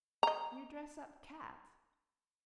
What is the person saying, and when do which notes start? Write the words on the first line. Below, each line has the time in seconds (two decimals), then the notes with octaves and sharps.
"You dress up cats."
0.23 D#5 A#5